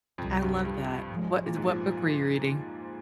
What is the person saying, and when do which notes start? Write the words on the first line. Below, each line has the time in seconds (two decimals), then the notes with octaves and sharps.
I love that. What is what book were you reading?
0.18 C2 F2 C3 G3
0.42 G2
0.65 G2
1.10 G#2 F3 G#3
1.46 A#2
1.56 G#2
1.67 F3